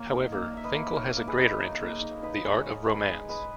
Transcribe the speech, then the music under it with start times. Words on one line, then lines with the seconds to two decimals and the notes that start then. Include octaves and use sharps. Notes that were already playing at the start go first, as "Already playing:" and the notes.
However, Finkle has a greater interest - the art of romance.
Already playing: A#3 C#5
0.11 D#4
0.32 A#3
0.53 D#4 E5
0.64 B4 D#5
0.74 A#3
0.96 D#4 A#4 C#5
1.17 A#3
1.27 G#4 B4
1.38 D#4
1.60 D#4
1.81 A#3
2.02 D#4
2.23 D#4 B4 D#5
2.44 G#3
2.55 A#4 C#5
2.65 G#3
2.86 G#3 G#4 B4
3.07 D#4 G#4
3.29 G#3 G#4 B4